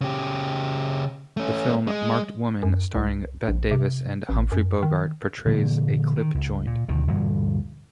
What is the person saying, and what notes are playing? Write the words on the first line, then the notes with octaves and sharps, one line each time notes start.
The film "Marked Woman", starring Bette Davis and Humphrey Bogart, portrays a clip joint.
C#3 G4
A3 C#4
G#3
F#2
C2
A#1
C3
A1
F#2
D#3
A#2 D3 E3 A#3
D#3
C#2
A#2
D2 B2 D#3
D2 G2 A#2 E3